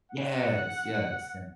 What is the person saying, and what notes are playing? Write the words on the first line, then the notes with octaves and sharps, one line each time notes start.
Yes, yes, yes.
F#5